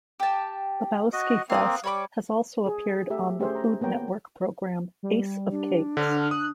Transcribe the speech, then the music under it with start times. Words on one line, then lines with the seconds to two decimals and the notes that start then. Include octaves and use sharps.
Lebowski Fest has also appeared on the Food Network program Ace of Cakes.
0.20 G4 A5
1.13 F#4 D#5
1.50 A#3 C4 F5 F#5 D#6
1.84 G3 C#5 B5 D6
2.66 G#4
3.10 A3 G4 A4 E5
3.39 A3 C#4 G4 G#4 C5 E5
3.55 A#5
3.81 A#3 B3 C#5 G5 A#5
5.03 G3
5.51 D4
5.97 D3 F6
6.31 D#6 F#6